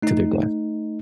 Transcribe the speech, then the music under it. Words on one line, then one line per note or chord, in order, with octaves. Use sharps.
to their death.
A3 D#4